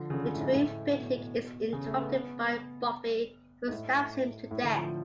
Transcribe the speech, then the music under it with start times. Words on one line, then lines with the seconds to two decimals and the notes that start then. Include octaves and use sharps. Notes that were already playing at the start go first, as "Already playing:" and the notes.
The dream-picnic is interrupted by Buffy who stabs him to death.
Already playing: D3 F3
0.10 C#3
0.14 D3
0.27 C#3
0.34 A2
0.41 G#2
0.54 A2
0.93 B2
1.73 C#3
1.86 A3
1.99 B3
3.68 G#2
3.71 A2
4.51 A2
4.64 D3
4.77 F3